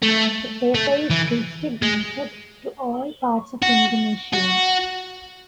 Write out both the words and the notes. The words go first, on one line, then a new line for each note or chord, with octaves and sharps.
The paper is distributed to all parts of Indonesia.
A3
A3
E3
G#3
F#4
F#4